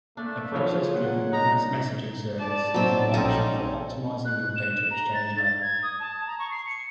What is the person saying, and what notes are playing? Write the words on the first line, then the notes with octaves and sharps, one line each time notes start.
A Process Driven Messaging Service is an option for optimizing your data exchange layer.
A3 A#3 D4
C#3 F3 F#3 F4 C#5
A#2 F#5
D#4 A#5
D5 A5
A2 F#3 C4 D#4
A#1 C4 C#4 D#4 A4 A#4
F#6
E7
A#5
A6
A6
G#6
D#6
A5
A#5
C#6
C7
C#7